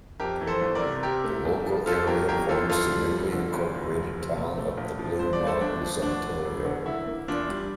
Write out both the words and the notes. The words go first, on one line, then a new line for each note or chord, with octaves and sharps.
The local area forms the newly incorporated town of The Blue Mountains, Ontario.
F2 G4 A#4
E3
A4 C5
G1
A#4 D5
C3
C3 G4 A#4
A3
C2
F3
F2 F4 A4
G1 G4 A#4
G1 G4 A#4
E3 F4 A4
F2 F4 A4
G3
F1
D3
E2
F1
F1
C3
A#2
A3
A#1
F3
G2 C5
D5
G1
A4 C5
G1 D4
F3
D2 D4
E1
E1
D3
D3 E4
A#3
E2 D4 F4
G3